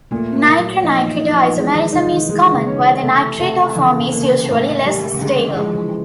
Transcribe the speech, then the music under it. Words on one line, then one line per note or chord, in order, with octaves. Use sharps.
Nitro-nitrito isomerism is common, where the nitrito form is usually less stable.
A#2 A3
A#3
A#2
F#3
F3 D#4
E3
D#4
F3
E3 G#3
D#3
C3 D#4
E3
D#3
E3 G#3
C#3
C#4
C#3
C3 A3
C3 A3
C#3 E3
C3
A#3
C#3
A2
G3
C#3
D3 G#3
E3
F3 G#3
E3